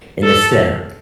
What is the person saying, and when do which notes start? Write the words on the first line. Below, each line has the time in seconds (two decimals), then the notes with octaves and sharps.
in the center,
0.23 A4